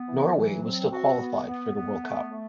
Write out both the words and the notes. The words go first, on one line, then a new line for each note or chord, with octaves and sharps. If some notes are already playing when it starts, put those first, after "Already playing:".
Norway was still qualified for the World Cup.
Already playing: B3
E3
F#3
C4
F#4
B3
B3
B3
A3
A3